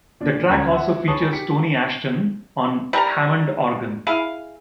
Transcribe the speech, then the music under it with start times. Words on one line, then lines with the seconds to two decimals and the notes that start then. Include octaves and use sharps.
The track also features Tony Ashton on Hammond organ.
0.20 A#2 D4
0.49 D2 C#4 A#4 A5 A#5 G#6
0.73 E5 F#5
1.07 G#4 B4 C#5 A5 C#6 D#6
1.32 G4 B6 C#7
2.93 G3 A#4 A#5
4.07 E4 G#4 F5